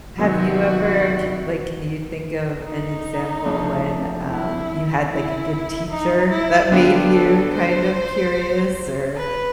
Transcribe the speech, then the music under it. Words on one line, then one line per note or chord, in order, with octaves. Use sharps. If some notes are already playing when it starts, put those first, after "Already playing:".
Have you ever k like, can you think of an example when, um, you had, like, a good teacher that made you kind of curious or,
C3 D#3 F#3 B3 F#4
D#4
E2 C3 F3 A3 D4
E4
E4
D#4
E4
D3 G3 B3 D4 F4 G4
A4
C5
B4